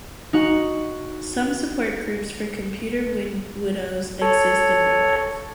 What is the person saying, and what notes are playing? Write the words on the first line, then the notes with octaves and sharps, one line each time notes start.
Some support groups for computer widows exist in real life.
D#4 F#4 F#5
A4 C#5